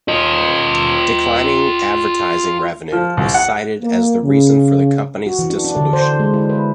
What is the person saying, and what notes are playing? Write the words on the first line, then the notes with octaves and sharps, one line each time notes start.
Declining advertising revenue was cited as the reason for the company's dissolution.
F4 D#5
F3
C2
F#5
A#3
C#3
F#4
E3
D4
D4
D3
C5
G#3
E4
B4